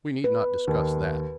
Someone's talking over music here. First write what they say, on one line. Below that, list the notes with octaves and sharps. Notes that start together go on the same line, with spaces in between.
"We need not discuss that."
B4
D#2